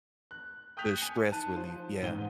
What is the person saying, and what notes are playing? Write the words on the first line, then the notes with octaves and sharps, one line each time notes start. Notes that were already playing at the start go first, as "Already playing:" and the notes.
the stress relief, yeah.
F#6
G5 D#6 F#6 G6 B6 F7
G#5 C#7
D#4 A5 F#6 D#7
F3 C5
A1 G#2 G#3 G5 D#7 G7